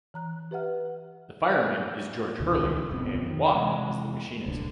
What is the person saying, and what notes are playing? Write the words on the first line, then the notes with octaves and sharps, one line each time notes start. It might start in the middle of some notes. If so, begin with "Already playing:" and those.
The fireman is George Hurley and Watt is the machinist.
E3 A#5 F#6
G4 B4 E5 F#5 F6
D2 B2 D3 E3
C#2 D#3
D1 F2 C3 B3
D#3
C3 E3 G#3
D1 C2 D3